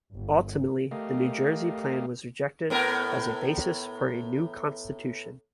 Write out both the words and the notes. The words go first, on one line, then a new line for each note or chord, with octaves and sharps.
Ultimately, the New Jersey Plan was rejected as a basis for a new constitution.
G1
A3 G4 A#4 D#5 F5
A2 B3 A#4